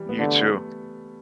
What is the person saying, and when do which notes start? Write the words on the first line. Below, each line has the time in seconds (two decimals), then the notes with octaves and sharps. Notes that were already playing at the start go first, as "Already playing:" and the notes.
You too.
Already playing: E3 G3
0.09 B3
0.18 D3 A3